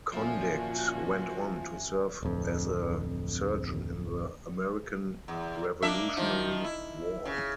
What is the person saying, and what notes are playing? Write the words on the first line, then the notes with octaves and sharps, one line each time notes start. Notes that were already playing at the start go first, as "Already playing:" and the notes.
Condict went on to serve as a surgeon in the American Revolutionary War.
A#2 F3 C#4 F#4 E5 G#5
D1 F2
E2
A#3 D4 E5
D#3 F3
E4
C#3